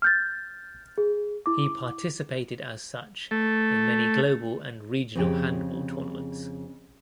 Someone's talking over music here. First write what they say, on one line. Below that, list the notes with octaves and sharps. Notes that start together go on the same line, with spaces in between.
He participated as such in many global and regional handball tournaments.
F6 G6 A6
G#4
E4 D6
A3
F2 C#3 G4